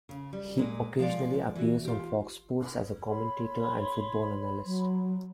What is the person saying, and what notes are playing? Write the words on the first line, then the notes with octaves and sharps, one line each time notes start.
He occasionally appears on Fox Sports as a commentator and football analyst.
C#3
G3
A#2 G#3 A#3
F3 G#3 D5
E3 F#4
F4 G4
C#5 B5 C6
F#3